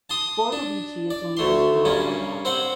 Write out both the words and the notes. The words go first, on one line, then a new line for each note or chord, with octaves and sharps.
Bordovichi is the nearest rural locality.
A5 C6 D#6
D4
D5
D2 A3 C6
G2 A#3 C#4
C4 C5 F#5